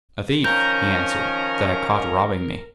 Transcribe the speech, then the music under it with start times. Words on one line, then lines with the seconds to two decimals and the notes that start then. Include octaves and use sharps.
'A thief,' he answered, 'that I caught robbing me.'
0.45 D#3 F3 C#4 A#4 A#5 G6